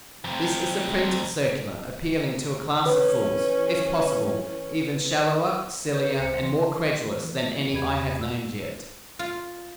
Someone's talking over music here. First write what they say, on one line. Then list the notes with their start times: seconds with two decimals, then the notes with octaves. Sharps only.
This is a printed circular appealing to a class of fools, if possible, even shallower, sillier, and more credulous than any I have named yet.
0.24 F2 C3
2.86 E3 C#4 B4
5.94 B4 C#5 G6
6.19 C#2 C5 C#7
6.43 E3 C6
7.24 E3
7.73 E2 G4 D5 B5 G#6
8.21 E6
9.19 F4